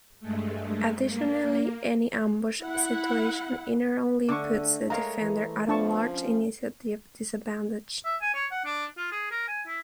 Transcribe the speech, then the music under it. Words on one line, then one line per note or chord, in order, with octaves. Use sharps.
Additionally, any ambush situation inherently puts the defender at a large initiative disadvantage.
G2 G#3 A3
A#3
E4 F#5
D3 A3 D4 C#6 D6
G#3 A#4 C#5 F5 A#5
E3
F3 B3 D4 A5 C#6
C#4
E5
G#5
C#5
F#5
D4
F4
G#4
A#4
G#5
E4